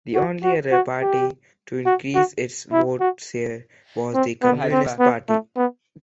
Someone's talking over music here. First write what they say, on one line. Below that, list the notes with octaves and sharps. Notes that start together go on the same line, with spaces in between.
The only other party to increase its vote share was the Communist Party.
F#4
F#4
F#4
G4
F#4
F#4
E4
F#4
C4
B3
C4
B3
A3
B3